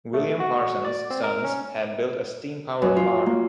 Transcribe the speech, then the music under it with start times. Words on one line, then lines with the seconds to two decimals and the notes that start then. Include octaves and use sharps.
William Parsons' sons had built a steam-powered car.
0.14 A3
0.40 F#4
0.85 D5
1.10 C4
1.24 A#4
1.44 C#4
2.82 F#2
2.96 F4
3.26 A#3